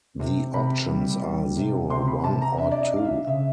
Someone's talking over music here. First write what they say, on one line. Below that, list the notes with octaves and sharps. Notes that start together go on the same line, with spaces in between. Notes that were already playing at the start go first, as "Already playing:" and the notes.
The options are zero, one, or two.
C3
C3 B5
G3
G3
C3
C3 C6
B5
C3 A5
A#5
D4 E5
D5
D#5
D4 F5
E5
C#3 E5